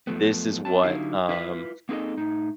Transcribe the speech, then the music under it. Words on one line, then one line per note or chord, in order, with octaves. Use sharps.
"This is what" um,
F#2 F3 A3 B3
C4 A5
D3 F#3 D#4 E4 G4 F5
E4 F4 B4 E5
A#3 C4 D#4 G#4 A4 D#5
A2 D#4